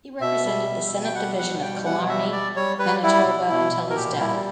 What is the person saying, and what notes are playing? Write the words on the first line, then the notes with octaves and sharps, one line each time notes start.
He represented the Senate division of Killarney, Manitoba, until his death.
B2 E5
G3
B2
B2
G5
G3 F#5
B2 F#5
G3 G5
B2 F#5
G3 E5
G3 D5
G3 C#5
G3 B4
G3 E4
B2
B2 E4
B2
A#4
A#2 G4
G3 E4